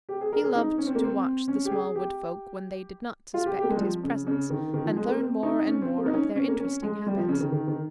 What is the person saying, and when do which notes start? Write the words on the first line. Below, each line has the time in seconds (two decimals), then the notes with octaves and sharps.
He loved to watch the small woods folk when they did not suspect his presence, and learn more and more of their interesting habits.
0.09 G4
0.21 G#4
0.33 A#4
0.44 G#4
0.55 D#4
0.78 C#4
0.87 C4
0.95 A#3
1.04 C4
1.48 C#4
1.65 G4
1.71 G#4
1.95 G4
3.34 F4
3.46 G4
3.58 G4
3.63 A#3
3.70 G#3
3.76 G3
3.80 F3
4.04 C#3
4.27 C#3
4.50 D#3
4.74 D#3
4.85 F3
4.96 G#3
5.08 A#3
5.20 C4
5.43 D#4
5.67 C#4
5.82 C4
5.98 A#3
6.06 D#4
6.13 C#4
6.36 C#4
6.48 A#3
6.59 C#4
6.82 G#3
7.06 G3
7.18 F3
7.28 C#3
7.40 D#3
7.52 D#3
7.68 D#3